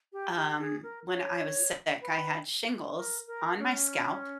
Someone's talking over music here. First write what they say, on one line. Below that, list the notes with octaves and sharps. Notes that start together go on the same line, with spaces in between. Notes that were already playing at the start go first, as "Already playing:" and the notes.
um, when I was sick. I had shingles on my scalp,
G4
G4
G#4
A#4
C#5
B4
A#4
A#4
C#4